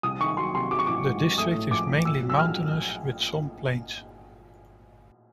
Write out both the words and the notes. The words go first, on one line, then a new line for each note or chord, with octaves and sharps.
The district is mainly mountainous with some plains.
C2 D#6
D#3 C#6
F#3 C6
C3 C6
F#3 D6
C#6
A1 D6
G#2
F#3
A3 D#6
A2
F3 D6
A2
A#2 E6
F#3
E6
A#2 F6